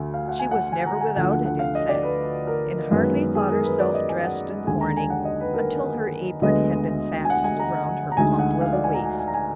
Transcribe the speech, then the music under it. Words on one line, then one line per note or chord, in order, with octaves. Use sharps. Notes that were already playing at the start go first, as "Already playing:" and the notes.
She was never without it, in fact, and hardly thought herself dressed in the morning until her apron had been fastened around her plump little waist.
Already playing: D2 D3 G#5
F5
F#5
G#5
F#5
G#5
A#5
G#5
D2 D3 F3 F#5
F#5
F#5
F5
D#5
D5
B4
A#4
F#2 D#3 G#3 B3
G#4
A#4
B4
D5
D#5
G#5
F#5
D#2 D3 G#3 G#5
A#5
G#5
F#5
D#5
B4
A#4
D2 D3 G#3 B3 D#5
G#5
F#5
G#5
A#5
A#5
D2 D3 G#3 D#4 G#5
F#5
F5
D5
G#5
A#5
G#5
G#5
A#5
G#5